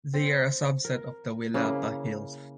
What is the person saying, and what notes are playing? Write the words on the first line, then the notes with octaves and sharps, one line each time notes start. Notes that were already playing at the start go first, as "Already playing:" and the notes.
They are a subset of the Willapa Hills.
C4
A#4
C#3 A#3 E4